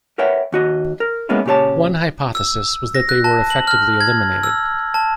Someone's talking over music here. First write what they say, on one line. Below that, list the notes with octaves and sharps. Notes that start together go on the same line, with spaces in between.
One hypothesis was that they were effectively eliminated.
A#4 B4 C#5 E5 F#5 G5
D#2 F#4 D#5
A#4
G#3 A#3 B3 C#4 E4
A#2 C#3 G4 C#5 A5
E6
A#6
F#6
A5
F#7
F6
G#6
E6
A5